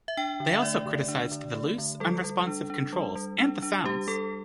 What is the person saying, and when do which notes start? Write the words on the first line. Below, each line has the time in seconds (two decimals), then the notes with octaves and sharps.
They also criticized the loose, unresponsive controls and the sounds.
0.08 E5
0.17 D4 G5
0.40 D3
0.53 E5
0.62 A3 D5
0.86 D3
1.08 D4
1.32 D3
1.55 A3
1.78 D3
2.00 G3 A4
2.24 G3
2.47 D4
2.70 D4
2.93 G3
3.15 G3
3.39 D4
3.62 D4
3.84 G3 G4
4.08 G3 A4